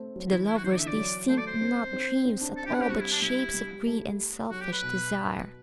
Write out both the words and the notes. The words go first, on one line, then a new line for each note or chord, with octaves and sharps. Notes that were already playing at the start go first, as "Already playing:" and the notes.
To the lovers they seemed not dreams at all, but shapes of greed and selfish desire.
Already playing: A3 C4
F#3
E3 E4
E4
F#4
E3 C5
D5
D3
E5
E3 D5
F#3
A3 C5
D5
C5
C4
C4
C4
D4
A4
D4 G4
F#5
C4 G4
G3 F#4
E4
D4
G3 E4
G3
A3
F#3 F#4
G4
B4
B2